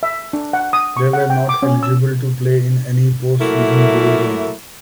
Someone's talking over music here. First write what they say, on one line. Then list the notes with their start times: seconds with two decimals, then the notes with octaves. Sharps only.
They were not eligible to play in any post season bowl game.
0.03 E5
0.33 D4
0.53 F#5
0.73 D#6
0.97 C#6
1.13 F#5
1.30 G5
1.49 D6
1.63 C#4
1.83 E6
3.41 F#3 A3 A#3 E4 A#4